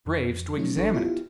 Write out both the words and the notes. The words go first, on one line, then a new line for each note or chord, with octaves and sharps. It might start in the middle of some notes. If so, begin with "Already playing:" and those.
Graves to examine it.
F2
D3 F3 F#3 A3 C#4 D#4
A1 F3 D4 A4 C#6
B3 E4 F4 G4